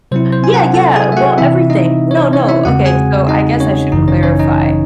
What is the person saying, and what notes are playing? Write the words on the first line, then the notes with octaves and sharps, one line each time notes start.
Yeah, yeah. Well, everything. No, no. Okay, so, I guess I should clarify.
C3 F#3 C4 E4 C5
C5
G#5
F#4 F#5
A4 A5
G#4 G#5
E5
F#4 F#5
C3 E3 C4 E4 E5
D#4 D#5
C#5
C5
C#4 C#5
E4 E5
E2 C#3 G#3 C4 F#4 F#5
G#4 G#5
D#4 D#5
C#4 C#5
G#1 F#2 C#3 E3 D#4 D#5
C#4 C#5
C#4 C#5
D#4 D#5